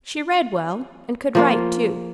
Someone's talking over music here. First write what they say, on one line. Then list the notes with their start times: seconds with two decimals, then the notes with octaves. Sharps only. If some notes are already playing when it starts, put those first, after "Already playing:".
She read well and could write, too.
1.35 F3 A#3 F4